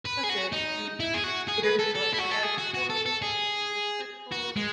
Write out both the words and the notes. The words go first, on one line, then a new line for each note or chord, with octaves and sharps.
That's it. And at theaters, we're like, "I gotta be poised. I gotta be respectful"
B4
G#4
F#4
D#4
E4
G#4
F#4
G#4
B4
A4
A4
E4
F#4
A4
G#4
F#4
F#4
A4
A4
G#4
F#4
G#3